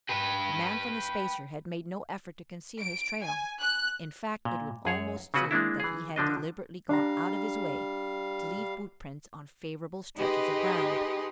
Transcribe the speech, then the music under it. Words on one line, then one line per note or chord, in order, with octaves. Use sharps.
The man from the spacer had made no effort to conceal his trail, in fact it would almost seem that he had deliberately gone out of his way to leave boot prints on favorable stretches of ground.
G4 B4
D7
G#5
F#6
A#2
F#2 G#4 C#5
C#3 C4 C#4 F#4 B4
G#3 A#3 D4 E4
E3 G#4
D3 F3 D4 D#5
G3 D4 F5 A#5
D#4 G4 G#4 B4 D#5 C6